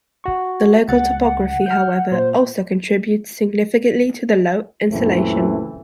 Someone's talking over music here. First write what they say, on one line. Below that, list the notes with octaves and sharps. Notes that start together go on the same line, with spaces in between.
The local topography, however, also contributes significantly to the low insolation.
F#4 C#6
C#2 F#5 A6
F6 G6
A#2 C5
C#2 F#2 A#2 E3 A3 C4